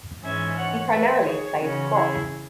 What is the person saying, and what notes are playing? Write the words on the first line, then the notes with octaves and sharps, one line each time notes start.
He primarily plays prop.
G#2 E3 C#4 E5 G#5
C#5 F#5
B4 E5
G#4 C#5
C#3 E3 C#4 F#4
E4 G#4